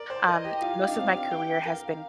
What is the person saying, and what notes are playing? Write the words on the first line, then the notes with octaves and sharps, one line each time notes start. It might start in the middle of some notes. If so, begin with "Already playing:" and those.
um, most of my career has been
Already playing: A#4 D5
C5
A#4 D#5
G4
F4 F5
G4
D#4
D4
C4
G4
G5
A#4 F5